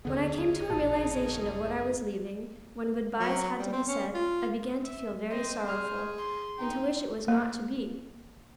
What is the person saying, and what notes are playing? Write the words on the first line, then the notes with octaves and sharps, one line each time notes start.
When I came to a realization of what I was leaving, when good-bys had to be said, I began to feel very sorrowful, and to wish it was not to be.
F#1 D#2 D3 B3 C#4 D#4 G#4
A1 A#2 A5
F#3
G3
C4
C#4
F4
E5
C4 C5 D#5
G#4 F6
C6
D#4 G5
A#3